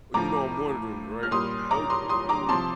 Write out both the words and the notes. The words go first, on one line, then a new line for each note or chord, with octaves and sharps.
Well, you know, I'm wondering, right? How do you
A2 F3 A#5 D6
F6
A#2 G3 C6 D#6
A#5 D6
C6 D#6
C6 D#6
A#5 D6
C3 F3 A5 C6